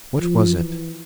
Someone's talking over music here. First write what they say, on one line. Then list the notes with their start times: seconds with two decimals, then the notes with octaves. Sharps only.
What was it?...
0.19 F3
0.55 E3